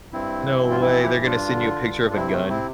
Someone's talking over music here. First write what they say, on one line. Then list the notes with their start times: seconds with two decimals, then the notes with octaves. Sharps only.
No way, they're gonna send you a picture of a gun.
0.13 G2 C4 E4
0.47 E3
0.71 F4
0.80 F3 C4 E4
1.02 E4 G4
1.14 G2
1.25 D4 F4
1.47 D3
1.82 G2
2.10 F4
2.15 C3 C4 E4
2.32 A3 C4
2.49 C4 E4